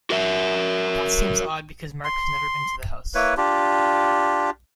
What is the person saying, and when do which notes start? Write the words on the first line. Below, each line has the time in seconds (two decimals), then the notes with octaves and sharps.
That seems odd because Mark has never been to the house.
0.10 F#4 A#4 E5
2.04 C6
3.15 A#3 E4 B4 C#5
3.37 D4 F4 G4